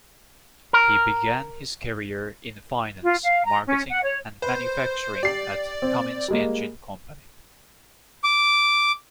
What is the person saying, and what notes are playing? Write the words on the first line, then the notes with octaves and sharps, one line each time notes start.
He began his career in finance, marketing, and manufacturing at Cummins Engine Company.
A#4
F4
F5
A#5
C#4
F#5
C#5
B4 C5
G4 D5 C7
C4
G3 G#3 A#3
D6